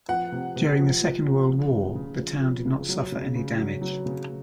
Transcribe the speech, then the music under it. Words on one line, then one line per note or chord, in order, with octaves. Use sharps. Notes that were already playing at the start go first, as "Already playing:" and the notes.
During the Second World War, the town did not suffer any damage.
F3 F#5
C3
C3
F3
F3
C3
F3
C#3
C#3
F3
F3
C#3
F#3
C#3
C#3
F#3
F#3
C#3